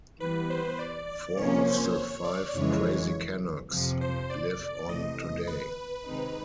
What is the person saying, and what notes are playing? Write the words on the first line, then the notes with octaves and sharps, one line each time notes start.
Four of the five "Crazy Canucks" live on today.
E3 G3 B3 B4
C5
D5
D5
C3 F3 A#3 C#4 C#5
C5
C#5
D5
F2 C#3 E3 G#3 C#5
F2 C3 F3
C5
D5
C3 E3 A3 D#5
B4
C3 D#3 G#3 C4 D#4